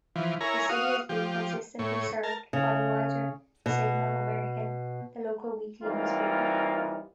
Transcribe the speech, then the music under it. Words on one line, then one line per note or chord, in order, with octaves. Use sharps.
The city has been consistently served by the Weiser Signal-American, the local weekly newspaper.
E3 F3
E4 A#4 C#5 G#5 A#5
F#4 F5 D#6
F3 G4
A2 C#5
A#4 A5
C#3
B2
E3 G3 A#3 C4 D#4 F4